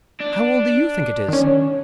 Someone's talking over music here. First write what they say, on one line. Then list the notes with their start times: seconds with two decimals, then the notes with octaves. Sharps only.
"How old do YOU think it is?"
0.20 D4
1.28 D#3 C#4